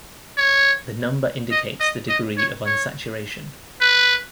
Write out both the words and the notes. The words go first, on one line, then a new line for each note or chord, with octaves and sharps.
The number indicates the degree of unsaturation.
C#5
D#5
D#5
D#5
C#5
C#5
B4